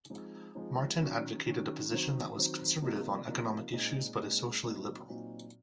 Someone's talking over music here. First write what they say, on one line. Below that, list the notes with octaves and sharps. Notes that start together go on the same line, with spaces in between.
Martin advocated a position that was conservative on economic issues but is socially liberal.
F3 G#3 C4 D#4
F3 G#3 C4 D#4
D#3 F#3 C#4
D#3 F#3 C#4
D#3 F#3 C4
D#3 F#3 C4
C3 F3 A#3 D#4
C3 F3 A#3 D#4
A#2 G#3 C4 D#4
A#2 G#3 C4 D#4
A#2 F#3 C4 D#4
A#2 F#3 C4 D#4